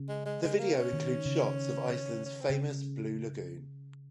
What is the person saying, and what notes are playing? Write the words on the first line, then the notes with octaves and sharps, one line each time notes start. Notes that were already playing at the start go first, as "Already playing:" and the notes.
The video includes shots of Iceland's famous Blue Lagoon.
Already playing: C#3
G#3
G#3
G#3
A#3
C#4
D#3
C#3
C#4
C4
C#3